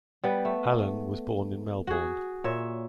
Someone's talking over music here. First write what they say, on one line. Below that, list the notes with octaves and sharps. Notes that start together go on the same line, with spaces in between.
Allan was born in Melbourne.
G3 B3 B4
A3
F#4 G#4
A#2 C#5 E5